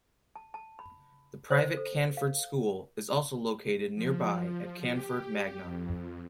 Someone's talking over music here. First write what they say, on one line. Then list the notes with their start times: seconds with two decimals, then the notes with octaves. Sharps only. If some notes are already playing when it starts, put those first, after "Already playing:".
The private Canford School is also located nearby at Canford Magna.
0.36 A5
0.54 A5
0.79 B5
1.51 C5
1.77 A4
2.17 F5
3.95 F3
4.91 G4
5.61 F2